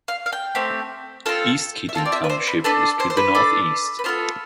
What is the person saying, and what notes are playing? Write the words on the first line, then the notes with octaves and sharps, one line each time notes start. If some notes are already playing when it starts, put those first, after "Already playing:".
East Keating Township is to the northeast.
F5
F5
G5
A3 C4 G4
C4 F4 A4
E5
C4 F4 A4 F5
D5
E5
B4
C5
B4
D4 A4 B4
C5
C5
B4
D4 A4
B4
B3 F4 A4 C5